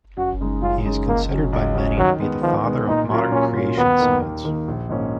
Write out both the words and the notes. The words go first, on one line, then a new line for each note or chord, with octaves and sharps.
He is considered by many to be the father of modern creation science.
F#2 F#4
C#3 G#3 D#4
F#2 F4
C#3 G#3 D#4
C#2 A#3
C#3 F#3 C#4
C#2
C#3 F#3 C#4
D#3 F#3
G#3 B3
D#3 F3
G#3 B3
A#2 D#4
F#3 C#4 F4 A#4
A#2 C#4
F#3 C#4 F4 A#4
D#2 B3
D#3 A#3
D#2
D#3 A#3
A#1
G#2 F3 A#3 C#4